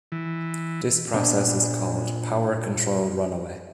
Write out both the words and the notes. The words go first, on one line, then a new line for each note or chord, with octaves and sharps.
This process is called "power control runaway".
E3
A#2 B3 D4